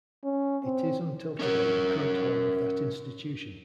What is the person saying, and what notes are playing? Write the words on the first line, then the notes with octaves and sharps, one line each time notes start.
It is until today the current home of that institution.
C#4
C4
C#4 A#4 C#5